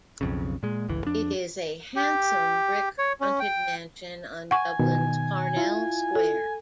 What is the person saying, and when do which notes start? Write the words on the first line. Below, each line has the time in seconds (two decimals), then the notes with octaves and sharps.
It is a handsome brick fronted mansion on Dublin's Parnell Square.
0.21 B1 F2 C#3
0.63 A#2 G#3
0.88 G1 C#2 E3
1.04 F2 D4
1.96 G4
2.98 C#5
3.21 C#4
3.40 G5
4.51 F#5 G#5 C#6
4.79 B2 D#3
5.57 E4 F4
6.15 A4